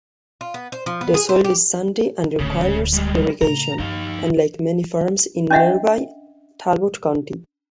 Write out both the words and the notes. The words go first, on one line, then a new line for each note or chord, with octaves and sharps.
The soil is sandy and requires irrigation, unlike many farms in nearby Talbot County.
F4
B3
C5
F3
B3
G#4
C4
G4
D1 D2 C#3
G3 G#3
A2 C#3 A#5
G2 F3 D#4 F5
C#4 D4 D#5 E5 F#5